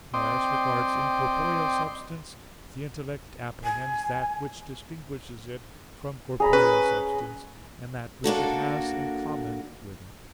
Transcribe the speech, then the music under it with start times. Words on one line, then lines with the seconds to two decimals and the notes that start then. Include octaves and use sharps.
Now as regards incorporeal substance, the intellect apprehends that which distinguishes it from corporeal substance, and that which it has in common with it.
0.14 C4 D5 D#5 G5 C6
3.64 G#5
6.40 G#4 A#5 B5
6.53 C#4 B4
8.24 A#3 D4 F#4 A4